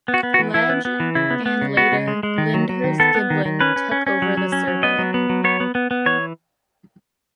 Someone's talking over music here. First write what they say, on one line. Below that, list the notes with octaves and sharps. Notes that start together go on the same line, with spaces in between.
Legge and, later, Lyndhurst Giblin took over the survey.
B3
F#4
B3
F#4
E3
E3 E4
B3
B3
E3
C#3 E4
B3
B3
C#3
B3 F#4
C#3
G#3
G#3
D#3
F#3
F#3
D#3
B3 A4
B3
D#3
D#3
C#4 B4
C#4
C#4
C#4
F#3
F#3
C#4
F#3
B3 D#5
F#3
B3
F#3
B3 C#5
B3
B3
B3
E3 C#5